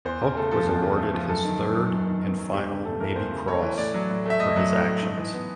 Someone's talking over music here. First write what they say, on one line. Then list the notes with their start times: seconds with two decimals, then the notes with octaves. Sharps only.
Houck was awarded his third and final Navy Cross for his actions.
0.05 E2 C5
0.22 C#3
0.36 A3 A4
0.51 F3 A4
0.67 E2
0.83 C#3
0.98 A3
1.14 F3
1.29 F#2 A4
1.45 D#3
1.61 B3
1.76 F#3
1.92 F#2
2.07 D#3
2.24 B3
2.38 F#3
2.54 E2 G4
2.70 C#3
2.85 A3 A4
3.00 E3 A#4
3.16 E2 C5
3.32 C#3
3.47 A3 C#5
3.62 E3
3.78 A2 D5
3.94 F#3
4.10 A2
4.25 A3 E5
4.40 A2 D#5
4.56 F#3
4.72 A2
4.87 A3
5.03 G#2
5.18 E3
5.34 B3